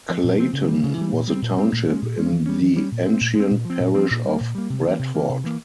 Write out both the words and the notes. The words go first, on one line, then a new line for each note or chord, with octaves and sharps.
Clayton was a township in the ancient parish of Bradford.
F3 C4
A#2
F3 C4
C#3
G3
E3
C#3
E3 G3
A#2
G3 C4
A#2
G3 C4
A#2
G#3 C#4
A#2
G#3 C#4
E3
G3 C#4
E3
G3 C#4
A#2
G#3 C4
A#2
G#3 C4
A#2
F3
C4
A#2
F3 C4
A#2
G3 A#3
A#2
G3 A#3
C3
E3 A#3
C3
E3 A#3
C3
E3 A#3